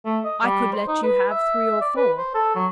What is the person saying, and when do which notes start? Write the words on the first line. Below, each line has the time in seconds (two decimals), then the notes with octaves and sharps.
I could let you have three or four.
0.05 A3
0.24 D#5
0.43 G3
0.73 C5
0.87 D#4
1.03 B4
1.31 E5
1.81 D5
1.96 B4
2.18 C5
2.34 A4
2.55 F#3